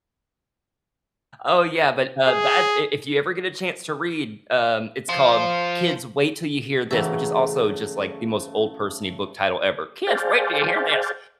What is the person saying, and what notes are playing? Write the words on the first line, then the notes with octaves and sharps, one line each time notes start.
Oh yeah, but, uh, that i if you ever get a chance to read, um, it's called, Kids, Wait Till You Hear This!, which is also just, like, the most old person-y book title ever "Kids, wait 'till you hear this,"
G#4
F4 C5
C#3 E3 F#3 A3 E5
G#4 C5 D5 F5 G5 A5